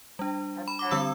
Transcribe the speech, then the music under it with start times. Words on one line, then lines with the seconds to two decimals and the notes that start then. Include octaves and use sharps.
I've done
0.19 G3 D4
0.68 B5
0.79 D6
0.91 D3 G3 C4 E6